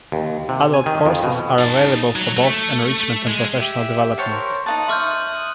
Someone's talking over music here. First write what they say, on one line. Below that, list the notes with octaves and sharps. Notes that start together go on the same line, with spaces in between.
Adult courses are available for both enrichment and professional development.
D#2
C3
G#5
D#3
F2
B2
D#4 A5
F#3
A3
G#3
G4 E5
C5 C#5 F#5 A5 C6 F6
A#4
D#4 F4 A5 D#6 F#6
E5 C6 C#6 F6 G6